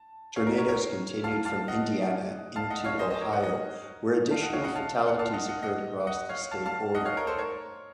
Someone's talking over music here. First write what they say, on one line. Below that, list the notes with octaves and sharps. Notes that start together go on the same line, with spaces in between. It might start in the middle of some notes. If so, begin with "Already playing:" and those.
Tornadoes continued from Indiana into Ohio where additional fatalities occurred across the state border.
Already playing: A5
C#5 F5
A#4
A#4 C#5
A#4 C#5
F5 A5
F5 A5
D#5 F#5
F5 A5
D#5 F#5
C#5 F5
C5 D#5
C5 D#5
A#4 C#5
D#5 F#5
D#5 F#5
F5 A5
D#5 F#5
C#5 F5
D#5 F#5
F5 A5
F#5
F5 A5
D#5 F#5
D#5 F#5
D#5 F#5
D#5 F#5
C#5 F5
F5 A5
F5 A5
D#5 F#5
C#5 F5
A#4 C#5
A4 C5
A#4 C#5